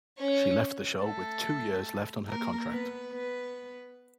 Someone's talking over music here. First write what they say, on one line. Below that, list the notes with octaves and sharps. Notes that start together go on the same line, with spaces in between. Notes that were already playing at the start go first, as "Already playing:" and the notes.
She left the show with two years left on her contract.
C#4 C#5
A3 A4
A#3 A#4
B3 B4
B3 B4